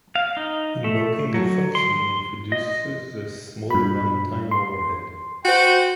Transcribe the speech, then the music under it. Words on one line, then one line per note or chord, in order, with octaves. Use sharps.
Invoking a function introduces a small run-time overhead.
F5
D#4
A3
F#3
C6
D#5
G2 B5
C6
F#4 C5 G5